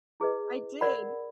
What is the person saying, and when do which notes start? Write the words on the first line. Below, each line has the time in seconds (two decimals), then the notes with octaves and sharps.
I did.
0.20 E4 G#4 B4 D#5
0.81 A#4 D5 F#5 B5